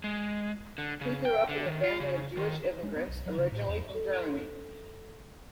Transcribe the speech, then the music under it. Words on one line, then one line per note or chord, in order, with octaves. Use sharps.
He grew up in a family of Jewish immigrants, originally from Germany.
G#3
D3
C#3
G5
D3
D#3
F4
C#3
D#3
G#3
B3
B1
F#3
C#3
A2
E2
A4